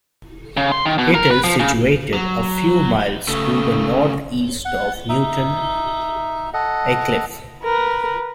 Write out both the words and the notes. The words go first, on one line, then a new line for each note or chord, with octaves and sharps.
It is situated a few miles to the north-east of Newton Aycliffe.
C#3
C6
D#3
B2
A#4
B4
F3
C#3
F#3
C#3 A3
F#5
D#4 E5
A4 D#5 F#5
A#4 B4